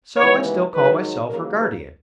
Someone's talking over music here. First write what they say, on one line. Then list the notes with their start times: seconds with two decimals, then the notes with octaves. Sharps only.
So I still call myself her guardian.
0.16 D#2 C#3 E3 G#3 B3 C#5
0.72 G#2 D#3 F#3 B4
1.28 D#2 C#3 F#3 A#3 A#4
1.57 B4